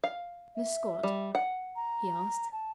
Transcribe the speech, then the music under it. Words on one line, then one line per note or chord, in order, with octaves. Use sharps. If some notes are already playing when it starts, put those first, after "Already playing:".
"Miss Scott?" he asked.
F5
E5
G3
F#5
A#5
A5